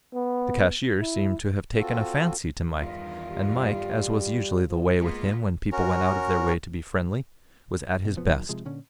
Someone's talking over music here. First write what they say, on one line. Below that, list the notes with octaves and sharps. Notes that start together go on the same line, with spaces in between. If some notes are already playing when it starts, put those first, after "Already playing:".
The cashier seemed to have taken a fancy to Mike; and Mike, as was usually the way with him when people went out of their way to be friendly, was at his best.
B3
E4
C4 F4 F#4 A4
E2 G2 D#3 F4
G3
F3
G#3 A#3 B3 F4
C#4 F#4 A#4
B2
E1 F2 F3 B3
A#1 D#3 F#3
C3 F3 G#3
A#2 D3 C#4